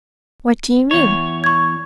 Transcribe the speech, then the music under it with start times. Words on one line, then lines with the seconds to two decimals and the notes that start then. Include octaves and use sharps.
What do you mean?
0.91 E2 C#5
1.44 C#6 G#6